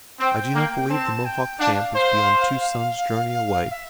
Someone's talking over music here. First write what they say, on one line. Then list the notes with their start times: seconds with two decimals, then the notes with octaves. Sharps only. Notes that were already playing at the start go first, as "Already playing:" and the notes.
I do not believe the Mohawk camp is beyond two suns' journey away.
0.20 C4 G5
0.54 A#3
0.89 C4 A5
1.25 G5
1.60 D4 F5
1.95 C5
3.71 E5